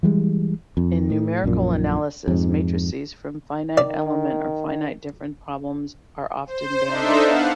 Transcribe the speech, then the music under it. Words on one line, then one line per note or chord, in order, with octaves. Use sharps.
In numerical analysis, matrices from finite element or finite difference problems are often banded.
E3 G3 G#3
F2
A2
A#1 F#2 A#2
F2 G#2
D#3 D5
C5
D4 D#4 A4 C5 E5
B3 F5 F#5